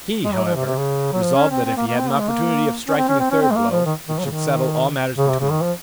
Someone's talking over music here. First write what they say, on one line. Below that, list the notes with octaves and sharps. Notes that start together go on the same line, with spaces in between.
He, however, resolved that if he had an opportunity of striking a third blow, it should settle all matters between them.
G#3
F#3
F3
C3
C3
C#3
F#3
F3
C#4
C4
C4
A#3
A#3
C4
A#3
G#3
A#3
C#4
C4
C#4
C4
C#4
C4
G#3
A#3
F3
D#3
D#3
F#3
C#3
D#3
C#3
C3
C#3
D#3
F3